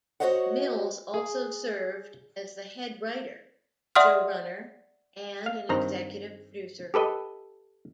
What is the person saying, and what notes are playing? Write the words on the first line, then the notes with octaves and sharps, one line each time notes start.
Mills also served as the head writer, show runner and an executive producer.
F#4 A4 C5 C#5 D#5 F#5
G#4
D5 E5 F#5 C6 D#6 F6
F5
G2 D#3 C4 A#5
G4 A4 B4 D#5